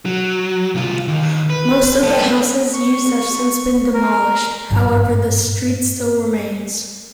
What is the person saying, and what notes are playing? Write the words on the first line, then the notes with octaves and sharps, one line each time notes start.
Most of the houses used have since been demolished, however the street still remains.
F#3
C2 F4
D#2 D#3
B4
B3 A4
C#6
A#4
G#1 G2 A#2 F#3